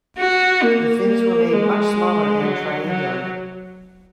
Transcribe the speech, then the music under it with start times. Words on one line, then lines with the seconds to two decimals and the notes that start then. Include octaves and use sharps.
The fins were made much smaller and triangular.
0.18 F#4
0.63 A#3
1.07 A#3
1.53 G#3
2.42 F#3
2.87 F#3